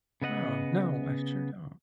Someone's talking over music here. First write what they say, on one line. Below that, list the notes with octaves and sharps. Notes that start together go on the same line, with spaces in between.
Wow, no, I sure don't.
C#3 B3 D#5 F#5